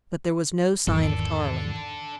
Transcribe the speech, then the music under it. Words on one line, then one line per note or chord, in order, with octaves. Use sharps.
But there was no sign of Tarling.
E2 G#2 D#3 D4 A4